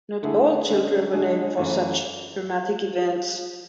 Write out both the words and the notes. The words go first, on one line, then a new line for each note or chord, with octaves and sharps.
Not all children were named for such dramatic events.
D3 A3 E4 G#4
D3 G#3 C#4
D3 G#3 D4 G#4
F#2 E3 A3 E4